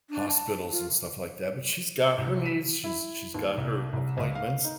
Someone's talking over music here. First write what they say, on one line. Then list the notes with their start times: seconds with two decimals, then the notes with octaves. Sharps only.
hospitals and stuff like that, but she's got her needs, she's she's got her appointments,
0.10 D4
0.29 A5
0.71 F4
2.18 C2
2.46 B6
2.84 E4
3.34 D#2
3.57 C2
3.93 C2
4.18 C#2
4.35 F5
4.64 D#4